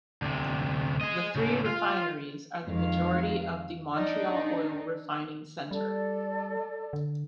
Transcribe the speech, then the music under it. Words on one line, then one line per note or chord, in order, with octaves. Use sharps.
The three refineries are the majority of the Montreal Oil Refining Center.
D2 C3
G#4 D#5
A2 C#3
F4
F2 D#3 G#3 F5
D4 D#4
G3 A4 D5
D3